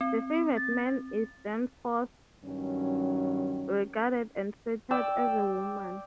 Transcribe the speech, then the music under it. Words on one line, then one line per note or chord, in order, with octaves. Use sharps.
The favored man is thenceforth regarded and treated as a woman.
C4
A6
G2 D#3 F#3 C#4
D5 G5 E6